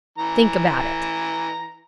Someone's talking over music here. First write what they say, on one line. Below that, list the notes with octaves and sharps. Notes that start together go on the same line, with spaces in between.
Think about it.
E3 A#5